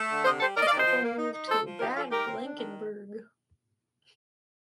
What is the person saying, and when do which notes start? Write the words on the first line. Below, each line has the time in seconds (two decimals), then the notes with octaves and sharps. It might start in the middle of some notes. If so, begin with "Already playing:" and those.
The couple moved to Bad Blankenburg.
Already playing: A3
0.09 D3
0.25 C3 C5 D#5
0.40 G3 A4 C5
0.55 D#3 A#4 D5
0.63 D#5
0.66 D5 F5
0.71 D#3
0.76 C5 D#5
0.87 F3
1.03 A#3
1.18 D#4
1.33 D#4
1.48 F3 A4 C5
1.65 F3
1.80 D#4 G4 A#4
1.95 F3 F4 A4
2.11 D#4 G4 A#4
2.27 C4
2.42 D4
2.58 D#3